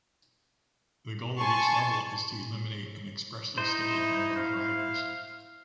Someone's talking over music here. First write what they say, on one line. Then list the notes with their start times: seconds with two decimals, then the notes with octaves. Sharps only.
The goal of each level is to eliminate an expressly stated number of riders.
1.37 G#5 A5 C6 C#6
3.58 D#4 E4 C5
4.36 F5